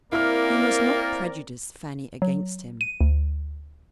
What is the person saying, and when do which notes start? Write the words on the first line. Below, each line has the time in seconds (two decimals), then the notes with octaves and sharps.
You must not prejudice Fanny against him.
0.12 A#3 C4 E4 A#4 D5 F6
2.22 F#3
2.81 D#7
3.01 D2